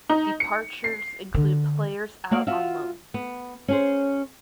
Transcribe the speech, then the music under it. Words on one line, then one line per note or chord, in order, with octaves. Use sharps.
Departures include players out on loan.
D#4
C#7
C7
D3
A#3 F#4 D5 F5
F4 F#4 E5 F5
B3
C#4 G#4 C5